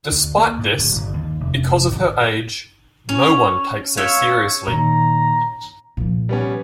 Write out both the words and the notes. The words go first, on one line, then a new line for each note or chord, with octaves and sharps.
Despite this, because of her age, no one takes her seriously.
D2
A#3
G#2
D1
G1
D#2
F1
F1
G#1
C#4
C#5 E5 F5
A#2 D#3 A#5
A#2 F3
G3 B3 C#4